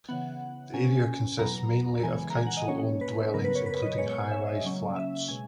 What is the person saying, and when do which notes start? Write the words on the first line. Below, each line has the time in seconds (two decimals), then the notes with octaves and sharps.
The area consists mainly of council owned dwellings including high rise flats.
0.08 C#3 E3 B3 F#5
0.73 B2 A#3 C#4 G#5
1.39 E2 B2 F#3 B3 A#5
2.03 C#3 E3 G#3 B3 G#5
2.30 A#5
2.36 G#5
2.47 F#5
2.57 D#5
2.68 B2 A#3 C#4 C#5
3.01 B4
3.34 F#2 C#3 F#3 B3 A#4
3.44 B4
3.55 C#5
3.66 B4
3.82 D#5
3.98 A#2 G#3 B3 C#5
4.09 C#5
4.20 G#5
4.31 E5
4.47 D#5
4.63 C#3 F#3 A#3 C#4
4.96 E5
5.28 B2 G#3 C#4 G#5